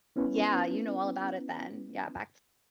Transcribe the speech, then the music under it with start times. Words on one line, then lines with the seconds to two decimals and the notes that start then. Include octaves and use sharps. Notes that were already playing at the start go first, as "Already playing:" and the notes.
yeah, you know all about it then. Yeah, back
0.16 B3 C#4 E4 B4